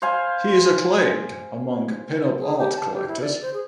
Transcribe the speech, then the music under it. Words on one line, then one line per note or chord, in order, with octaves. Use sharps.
He is acclaimed among pin-up art collectors.
C5 F5 G#5 B5
G#4
G4
A5
G4
E4
D5
C5
G#4